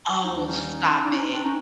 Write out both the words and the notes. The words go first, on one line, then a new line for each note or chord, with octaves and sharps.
Oh, stop it.
D#2 D#3 G3 D#4
D4
C#4 D#4
D4
C#4 D#4
C4 D4
C#4 D#4